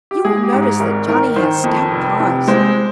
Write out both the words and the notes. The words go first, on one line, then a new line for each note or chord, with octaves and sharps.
You will notice that Johnny has stout claws.
G4
G#3 G#4
G4
G#2
G#4
G#1 A#4
D#3 A#4
D#3 C5
F2
F1
C3
G#3 C5